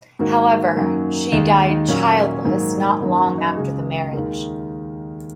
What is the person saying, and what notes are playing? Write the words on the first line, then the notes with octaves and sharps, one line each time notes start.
However, she died childless not long after the marriage.
G#2 D#3 A#3 F#4
F#2 D#3 F#3 A#3
D#2 D#3 G#3 D#4
D#4
A#2 F#3 A#3 C#4
G#2 D#3 F#3 A#3
F#2 D#3 F#3 A#3
F#4
D#4
C#2 C#3 G#3 G#4
D#2 D#3 G#3 A#4